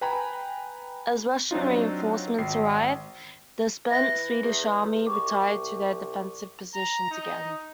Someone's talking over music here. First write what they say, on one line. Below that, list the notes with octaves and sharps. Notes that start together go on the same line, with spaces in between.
As Russian reinforcements arrived, the spent Swedish army retired to their defensive positions again.
B4 G5 G#5 A#5 B5
F#3 C4 D4 D#4 F4
G#1 C7
E3 E5 F#6 A#6
E2
C2 C#6 D6
A#5
D#4